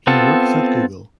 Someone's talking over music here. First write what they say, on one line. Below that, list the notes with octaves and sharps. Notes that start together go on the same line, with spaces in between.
He works at Google.
B3 C4 F4 A4